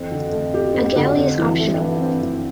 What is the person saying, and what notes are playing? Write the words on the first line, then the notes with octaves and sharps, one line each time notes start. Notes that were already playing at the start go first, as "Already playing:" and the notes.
A galley is optional.
Already playing: F2 E3 C4
D3
A3
G4
C4
D3
C4
E3
A3
F2
G2 E3
C4
E3